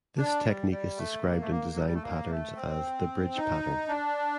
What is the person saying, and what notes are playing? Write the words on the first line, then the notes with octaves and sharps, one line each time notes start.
This technique is described in Design Patterns as the Bridge pattern.
D4
G3
G3
A3
A#3
A3
A#3
F#3
G3
A3
A#3
A3
C4
D#4
D4